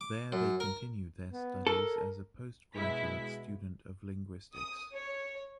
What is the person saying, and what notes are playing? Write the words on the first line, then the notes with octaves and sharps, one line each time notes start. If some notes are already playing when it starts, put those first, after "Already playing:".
There they continued their studies as a postgraduate student of linguistics.
D6
F#2
A#4
B3
A4 A#4
B2 G#3 E4 B6
D#6
C#5